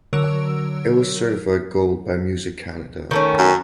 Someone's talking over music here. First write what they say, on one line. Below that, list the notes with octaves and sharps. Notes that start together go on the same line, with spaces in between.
It was certified Gold by Music Canada.
D3 F#3 A#4 C#5 E6 D7
D#3 A3 C#4
F#2